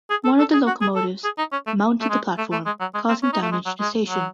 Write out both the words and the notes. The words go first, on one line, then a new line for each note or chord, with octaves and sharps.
One of the locomotives mounted the platform, causing damage to the station.
G#4
A4
A4
G#4
F#4
G#4
A4
G#4
D#4
C#4
A3
A3
G#3
A3
A3
G#3
F#3
G#3
C4
C#4
D#4
A3
G#3
F#3
G#3
F#3